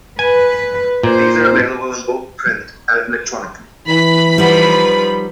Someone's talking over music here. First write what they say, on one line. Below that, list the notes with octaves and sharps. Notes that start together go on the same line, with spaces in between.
These are available in both print and electronically.
B4 G#5
A#2 C5
E3 B5
F3 G3 D#4 B4 F#5